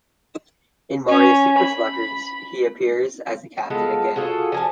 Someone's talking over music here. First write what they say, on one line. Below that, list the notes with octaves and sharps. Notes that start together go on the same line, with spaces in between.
In "Mario Super Sluggers", he appears as a captain again.
C#4
B5
G#3 B3 F4 A4
F4 F#4 G#4 A4
F3 G#5 A5